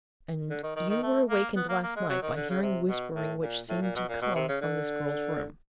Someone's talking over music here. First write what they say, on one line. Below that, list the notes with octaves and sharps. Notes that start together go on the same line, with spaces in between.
"And you were wakened last night by hearing whispering which seemed to come from this girl's room."
D3
D#3
D#3
D#3
A3
A#3
B3
A#3
A#3
G#3
F#3
D#3
D3
C#3
C3
B2
A2
A#2
A2
A#2
B2
A#2
B2
C3
C#3
D3